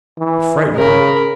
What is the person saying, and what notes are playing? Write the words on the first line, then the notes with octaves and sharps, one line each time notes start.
It frightened her.
E3
C#3 A#4 B5